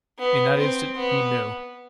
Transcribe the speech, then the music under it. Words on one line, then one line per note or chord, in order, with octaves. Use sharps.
In that instant he knew.
B3
C4
B3